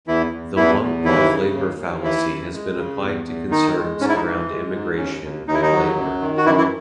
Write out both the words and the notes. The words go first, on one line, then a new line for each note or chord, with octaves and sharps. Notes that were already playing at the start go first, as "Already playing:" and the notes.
The lump of labour fallacy has been applied to concerns around immigration and labour.
E2 E3 E4
E2
E2 E3 E4
E2
D#2 E3 E4
C#3
D#2
D#2
E3 E4
F#2
G#3
C#3
E2
E2
D#3 D#4
G#3
G#2 C#4
E4
D#4
E3
G#3
G#2
D#2 C#4
D#2
D#2 D#4
E4
D#4
F#3
F#2
D#3
F#4
F#2 E3 E4
E3 E4